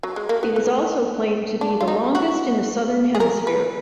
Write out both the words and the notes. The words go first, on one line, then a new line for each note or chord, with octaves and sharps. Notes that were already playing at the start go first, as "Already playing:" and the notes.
It is also claimed to be the longest in the southern hemisphere.
F#3
G#3
A#3
B3
B3
D4
F4
D#4
F#4
G#4
A#4
B4